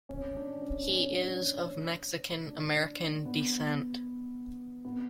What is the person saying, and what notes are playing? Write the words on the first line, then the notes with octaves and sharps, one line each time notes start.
He is of Mexican-American descent.
C#4
D4
C#4
D4
C#4
D4
B3
B3